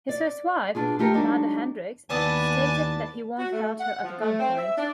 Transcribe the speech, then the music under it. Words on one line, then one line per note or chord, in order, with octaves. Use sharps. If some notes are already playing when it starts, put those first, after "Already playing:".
His first wife, Wanda Hendrix, stated that he once held her at gunpoint.
D5
B2 D4 F4 G#4
A3 F4 G4 A4 A#4
F#3 G#3 D4 D#4
D#2 B3 D4 E4 B4 G#5 A5
F#4
A3
F#5
F3
A3
C4
E5
D4